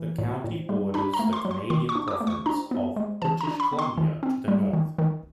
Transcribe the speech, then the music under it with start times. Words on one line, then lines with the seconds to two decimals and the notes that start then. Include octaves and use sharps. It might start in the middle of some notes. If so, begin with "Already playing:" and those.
The county borders the Canadian province of British Columbia to the north.
Already playing: E3
0.18 A2
0.44 A2
0.69 G3
0.94 D4 B5
1.14 A#5
1.19 A3
1.33 C6
1.45 F#3
1.51 C6
1.70 D#3 C6
1.89 C#6
1.95 D4
2.08 D6
2.20 A3
2.27 C#6
2.46 D4 A#5
2.71 B3
2.96 G#3
3.22 E3 A5
3.41 A#5
3.47 D4
3.60 B5
3.73 B3
3.79 C6
3.98 D#3
4.23 C4
4.48 G3
4.73 D#3
4.98 D#3